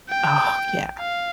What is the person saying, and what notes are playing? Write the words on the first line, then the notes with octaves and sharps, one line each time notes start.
Oh, yeah.
G5
F5